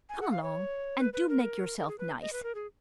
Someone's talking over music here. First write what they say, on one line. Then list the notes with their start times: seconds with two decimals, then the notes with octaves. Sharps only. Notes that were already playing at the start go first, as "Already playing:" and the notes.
Come along, and do make yourself nice.
0.09 G#5
0.21 F#5
0.31 F5
0.43 C#5
0.99 B4
1.13 B4
1.29 A#4
1.79 A#4
1.88 G#4
1.99 B4
2.22 D#5
2.33 B4
2.43 A#4
2.55 G#4